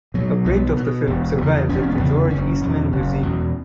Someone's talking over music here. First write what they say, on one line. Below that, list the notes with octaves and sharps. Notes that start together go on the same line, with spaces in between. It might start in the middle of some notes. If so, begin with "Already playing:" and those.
A print of the film survives at the George Eastman Museum.
B2 F#3
B1 B3
B2
E1
E2 C#3
E1 C#4
C#4
B3
E2 C#3
B3
F#1 C#4
E2 B2
F#1
E2 B2